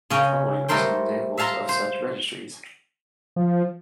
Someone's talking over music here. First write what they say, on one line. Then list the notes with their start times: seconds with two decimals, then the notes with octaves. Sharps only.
The following are some examples of such registries.
0.10 C#3 C#4 G5 A#5
0.68 G3 A3 A4 A#4 C5 G5
1.38 E5 F5 A5 A#5 C6
1.69 C5
3.36 F3